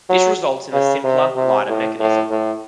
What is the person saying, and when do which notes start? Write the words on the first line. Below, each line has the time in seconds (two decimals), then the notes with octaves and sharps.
This results in a simpler, lighter mechanism.
0.10 F#3
0.73 C#3
1.04 C3
1.36 C3
1.68 A2
1.99 A2
2.30 A2